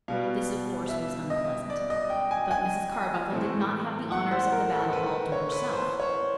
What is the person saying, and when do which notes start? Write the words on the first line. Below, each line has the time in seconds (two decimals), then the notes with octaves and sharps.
This, of course, was unpleasant; but Mrs. Carbuncle did not have the honours of the battle all to herself.
0.08 B2 G3 B3 F5
0.89 E5
1.30 D#5
1.70 D5
1.90 D#5
2.10 G5
2.31 G#5
2.51 G#5
3.31 A2 E3 A3 C4
4.12 F#5
4.31 C5
4.52 A#4
4.73 A4
4.93 B4
5.32 C#5
5.52 B4
5.73 C5
6.00 C#5